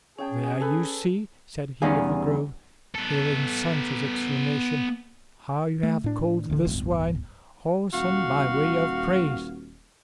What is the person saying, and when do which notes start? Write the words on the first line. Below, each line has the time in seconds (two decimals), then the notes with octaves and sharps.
"There, you see," said he of the Grove, hearing Sancho's exclamation, "how you have called this wine whoreson by way of praise."
0.19 C#4 G#4 C#5 G5 A5
0.61 A4 B4
1.82 E2 G3 C#4 D#4 G#4 F5
2.95 B3 A4
5.83 A3
6.04 A2 D4
6.50 D1 D3
6.65 D1 G1
7.93 D#1 F#4 F5